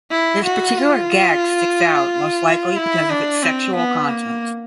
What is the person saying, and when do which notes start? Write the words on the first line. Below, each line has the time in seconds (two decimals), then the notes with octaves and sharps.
This particular gag sticks out, most likely because of its sexual content.
0.11 E4
0.44 F#4
0.78 F4
2.76 E4
3.10 D4
3.43 C4
3.76 B3
4.09 A#3